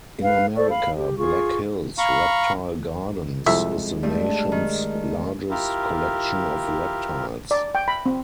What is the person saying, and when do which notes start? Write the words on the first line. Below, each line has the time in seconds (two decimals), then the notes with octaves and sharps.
In America, Black Hills Reptile Gardens is the nation's largest collection of reptiles.
0.23 B4 F5
0.55 A4 C5 D5 C#6
0.70 F5 B5
0.97 G4
1.18 F4 G#4 C#6
1.98 F5 A#5 B5 C#6
3.46 C2 F2 G#3 E5
4.03 G2 A3
4.52 D#3
5.50 E4 F4 G4 A#4
7.51 D5
7.75 G5
7.88 B5
8.06 C4